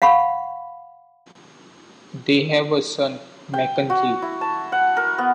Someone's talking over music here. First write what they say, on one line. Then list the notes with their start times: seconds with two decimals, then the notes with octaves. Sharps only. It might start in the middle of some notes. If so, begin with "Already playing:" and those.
They have a son, Mackenzie.
0.02 F5 F#5 B5 C#6
3.54 G5
3.90 F#4
4.22 E4
4.41 A5
4.72 F#5
4.97 A#4
5.18 B3